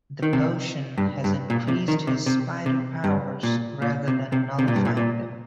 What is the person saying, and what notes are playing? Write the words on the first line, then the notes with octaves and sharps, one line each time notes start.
The potion has increased his spider powers rather than nullifying them.
D#3
C3
G2
G2
A#2
C3
D#3
C3
C3
C3
G2
A#2
A#2
C3
C3
C3
A#2
G2
A#2
A#2